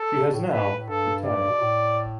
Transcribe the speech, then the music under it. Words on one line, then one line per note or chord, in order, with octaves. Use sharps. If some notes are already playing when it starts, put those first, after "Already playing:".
She has now retired.
Already playing: A4
C3
B2
A2
A2 B4
G2
A2
G2 A4
D5
B2
A2